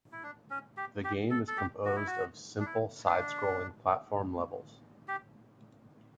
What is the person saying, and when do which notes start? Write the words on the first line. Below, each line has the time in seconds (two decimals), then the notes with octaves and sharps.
The game is composed of simple side-scrolling platform levels.
0.12 E4
0.23 D4
0.50 C#4
0.77 G4
1.04 G4
1.31 A4
1.48 A4
1.58 G4
1.85 F#4
1.96 E4
2.07 F#4
2.60 D4
2.66 E4
3.06 D4
5.08 G4